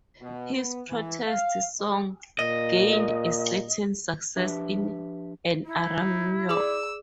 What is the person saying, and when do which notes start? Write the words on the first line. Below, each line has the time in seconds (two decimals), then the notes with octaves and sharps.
His protest song gained a certain success in and around New York.
0.21 B2
0.54 B3
0.89 E3
1.27 F5
1.80 G#3
2.39 A#2 D#5
4.36 F3 D4 G4 B4 E5
5.66 D#4 E4
6.49 G#4 D5 D6 E6